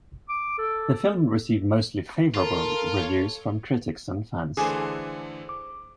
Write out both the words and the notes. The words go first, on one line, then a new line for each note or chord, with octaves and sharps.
The film received mostly favorable reviews from critics and fans.
D6
A4
F4 A4 A#4
A4 C#5
D3 E3 A3 G#4 C5 D6 D#6
D6